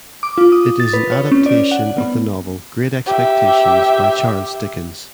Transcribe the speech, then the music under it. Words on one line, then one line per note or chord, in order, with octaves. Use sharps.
It is an adaptation of the novel "Great Expectations" by Charles Dickens.
D6
F4
D#6
A6
B4
C#5
C#4
D5
F#5
B3
G4 E5